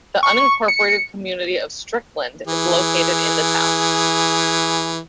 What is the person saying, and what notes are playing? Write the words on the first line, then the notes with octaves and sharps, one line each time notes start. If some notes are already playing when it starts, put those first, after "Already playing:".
The unincorporated community of Strickland is located in the town.
C#6
C#7
E3 G#4